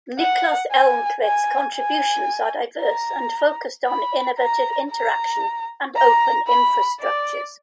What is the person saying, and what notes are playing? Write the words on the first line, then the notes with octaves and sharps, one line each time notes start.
Niklas Elmqvist’s contributions are diverse and focused on innovative interaction and open infrastructures.
F#5
G#5
G#5
G#5
A#5
B5
A#5
A#5
A#5
B5
D5